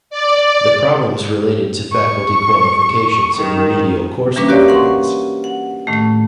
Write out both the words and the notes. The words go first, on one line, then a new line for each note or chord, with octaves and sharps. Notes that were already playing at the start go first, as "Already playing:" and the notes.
The problems related to faculty qualifications and remedial course offerings.
D5
C#6
D#3
E3 G3 A#3 C#4 D4 B4
F#4 G4 A#4 C#5 D5 F5
F#5 C6 C#6
F#5
A2 D#3 A3